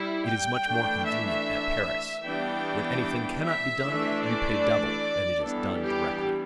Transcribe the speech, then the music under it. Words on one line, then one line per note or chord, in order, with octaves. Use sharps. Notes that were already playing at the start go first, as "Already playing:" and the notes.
"It is much more convenient at Paris,--when anything cannot be done, you pay double, and it is done directly."
Already playing: G3 E4
G5
E3 A3 D4
E5
E3 G3 B3 D4 G5
E5
E3 A3 D4
D5
E3 G3 B3 D4 A4
G4